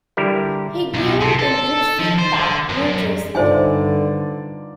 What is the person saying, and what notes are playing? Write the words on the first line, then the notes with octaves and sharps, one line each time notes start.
He grew up in Ridgefield Park, New Jersey.
D3 G3 E4 G4 A#4
B1
C3
A4
F3
C5
D3
F#2
G2 D3 D#4 F4 C5 D5 E5 G#5